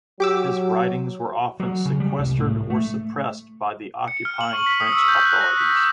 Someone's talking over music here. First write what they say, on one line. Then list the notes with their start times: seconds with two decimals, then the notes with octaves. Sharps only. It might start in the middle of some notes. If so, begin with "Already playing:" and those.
His writings were often sequestered or suppressed by the occupying French authorities.
0.20 F#3 G4 D6 E6
1.60 F#3
1.85 C#3
2.00 G3
2.19 C2
2.39 A2
2.70 A3
4.08 C#7
4.25 F6
4.41 F#7
4.53 C#6
4.66 B6
4.80 D#6
4.92 E6
5.08 G6
5.25 F#6
5.41 A#6
5.57 B6
5.76 D6